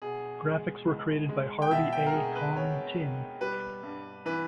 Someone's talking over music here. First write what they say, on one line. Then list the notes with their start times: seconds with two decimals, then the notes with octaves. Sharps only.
Graphics were created by Harvey A. Kong Tin.
0.02 B2 G#4
0.44 G#3
0.87 C#2
1.29 G#3
1.62 G5
1.71 B2 E5
1.92 G5
2.06 A#4
2.14 B2 G#4
2.35 B4
2.56 B2 C#5
2.99 B2
3.41 G3 B4
3.83 G2
4.25 E3 B4